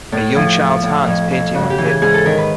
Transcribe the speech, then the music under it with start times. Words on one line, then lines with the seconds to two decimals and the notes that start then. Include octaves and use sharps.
A young child 's hands painting on paper.
0.12 A2
0.35 F3 E4
0.60 F3
0.83 A2
1.07 F2
1.31 F2
1.54 C#3 F#4
1.70 G4
1.78 E3
1.86 G#4
2.02 G#2 G#4
2.14 A4
2.25 D#3 A#4
2.38 B4